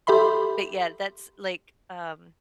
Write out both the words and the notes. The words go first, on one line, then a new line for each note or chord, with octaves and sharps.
But yeah, that's like, um
G4 A4 E5 B5 C6